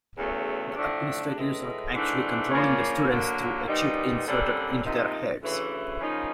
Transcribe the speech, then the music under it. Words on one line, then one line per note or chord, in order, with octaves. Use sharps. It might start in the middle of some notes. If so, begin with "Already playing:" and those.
The administrators are actually controlling the students through a chip inserted into their heads.
E2 C#3 F#3 A3
A2 F3 A3 D4
A2 E3 G#3
G#2 E3 A3 D4
C#3 F3 A#3 D4
D3 F#3 A#3
A#2 G3 B3 D#4
F#2 D3 G3 C4
C3 F3 A#3 D#4
D2 C#3 E3
C#3 F3 A#3 D#4